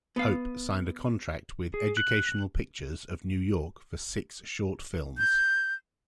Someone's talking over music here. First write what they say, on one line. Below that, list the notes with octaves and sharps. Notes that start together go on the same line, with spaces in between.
Hope signed a contract with Educational Pictures of New York for six short films.
B3 F5
G#4
F#6
G6